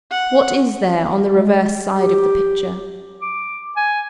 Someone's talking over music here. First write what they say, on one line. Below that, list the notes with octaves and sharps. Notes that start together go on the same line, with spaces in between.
What is there on the reverse side of the picture?
F#5
G#3
G4
D6
G#5